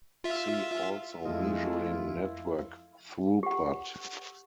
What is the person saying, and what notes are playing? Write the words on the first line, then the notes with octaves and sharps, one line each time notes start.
See also measuring network throughput.
F4 E5
F2 G#2 G#3 A3 E4 F4 D#5
G4 F#5